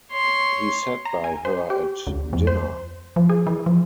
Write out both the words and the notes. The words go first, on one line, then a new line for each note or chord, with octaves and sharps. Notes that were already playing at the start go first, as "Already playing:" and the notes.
He sat by her at dinner.
C#5 C6
A#5
G#5
C5
G4
D2
F2
C5
F3
G#4
E3
F3